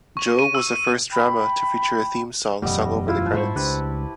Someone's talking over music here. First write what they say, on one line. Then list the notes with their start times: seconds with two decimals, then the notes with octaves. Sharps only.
Joe was the first drama to feature a theme song sung over the credits.
0.17 C#6
0.39 D#7
0.55 E6
1.11 G5 B5
2.62 E1 F#2 G3 A3 B3 D#5
3.08 E4 F4
3.22 A5 E6
3.34 G#2 G3 C5 B5 C#6
3.55 C#2 D4 G4 B4 A5